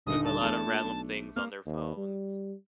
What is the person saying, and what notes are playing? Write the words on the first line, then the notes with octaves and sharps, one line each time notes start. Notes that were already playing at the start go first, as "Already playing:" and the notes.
with a lot of random things on their phones.
D#1 G2 D3 D#4 D#6
A5
E2 A3 D4
A#2
B1
A#3 F6
D#2
G3